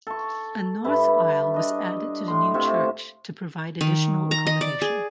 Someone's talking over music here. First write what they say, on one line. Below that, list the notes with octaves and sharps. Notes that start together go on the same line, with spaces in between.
A north aisle was added to the new church to provide additional accommodation.
A4 C#6
G2 E4
D4 D#5
A2 C6
C3 F4 E5 C#6
D#3
A#5
D#5
D5
G#4